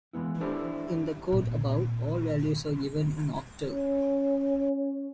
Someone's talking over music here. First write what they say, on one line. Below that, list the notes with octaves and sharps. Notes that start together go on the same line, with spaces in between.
In the code above, all values are given in octal.
E3 G#3 B3 E4
D4 E4 G4 A4 C5
A#2 C4
C#4